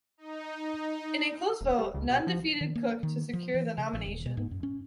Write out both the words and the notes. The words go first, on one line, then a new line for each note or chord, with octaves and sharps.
In a close vote, Nunn defeated Cook to secure the nomination.
D#4
D#1
G3
C#2
B2
F3
D#3
A#3
D#3
F3
E3
C#3
A1
D#1
B2
G#2
F#2
C#4